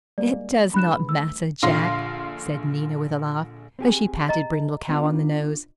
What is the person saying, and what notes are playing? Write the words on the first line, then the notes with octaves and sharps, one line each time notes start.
"It does not matter, Jack," said Nina, with a laugh, as she patted Brindle Cow on the nose.
G3 G#3 A#3 D5
E3 G3 D4 B5 F#6 E7
G#4 B4 B5
A3 E6
A#1 D3 F5 C6 A#6
C4 G4 G#4
D#5 A#5
B3 D4 F4